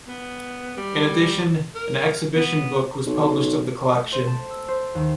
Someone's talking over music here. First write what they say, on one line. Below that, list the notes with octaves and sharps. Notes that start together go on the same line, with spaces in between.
In addition, an exhibition book was published of the collection.
B3
G3
A#4
B3
B1
A3
C5
A5
E6
C5
D#2